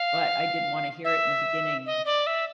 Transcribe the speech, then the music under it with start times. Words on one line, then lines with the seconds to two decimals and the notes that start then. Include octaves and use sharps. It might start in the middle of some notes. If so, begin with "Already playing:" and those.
but I didn't wanna hear it in the beginning
Already playing: F5
1.04 E5
1.86 D#5
2.06 D5
2.27 E5